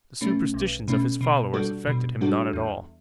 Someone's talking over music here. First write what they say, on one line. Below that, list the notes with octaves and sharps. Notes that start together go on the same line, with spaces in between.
The superstitions of his followers affected him not at all.
B2 A3 C#4
B1
B2 A3 C#4
B2
G3 D4 F#4 A4
B2
G3 D4 F#4 A4
E2